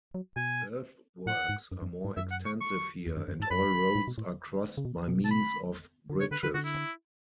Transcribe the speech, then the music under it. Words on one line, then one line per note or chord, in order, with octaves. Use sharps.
Earthworks are more extensive here, and all roads are crossed by means of bridges.
F#3
B2 G#5
A2 F#5
G#2
F#2
F#2
G#2
F#2 E5
F#5
C#6
C#6
E2
F#2
F#2
G#2 A5
F#2 B5
A2
B2
A2
C#3
B2
B2
A5
B5
D3
C#3 C#5
D3 B4
D3 B4
D3 F#4
E4